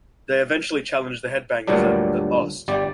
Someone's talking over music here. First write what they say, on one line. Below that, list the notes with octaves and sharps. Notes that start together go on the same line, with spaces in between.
They eventually challenged the Headbangers at but lost.
D2 G2 A#2 F#3 G3 D4
G1 G3 D5